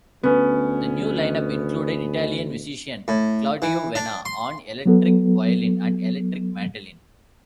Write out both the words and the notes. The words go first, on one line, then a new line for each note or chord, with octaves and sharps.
The new lineup included Italian musician Claudio Vena on electric violin and electric mandolin.
D2 B3 C#4
A2
E3
D4
C6
F#3 B3 A4